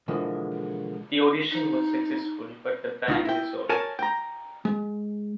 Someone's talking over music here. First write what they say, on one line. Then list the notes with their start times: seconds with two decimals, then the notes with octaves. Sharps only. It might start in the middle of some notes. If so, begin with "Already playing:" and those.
The audition was successful, but the band dissolved.
0.08 B2 D3 E3 F3 G#3 A#3
1.51 D#4
3.08 C#2 D#4 F4
3.25 E4 G5
3.69 A#4 C#5 G#5 A5
3.99 G5 A#5
4.65 G#3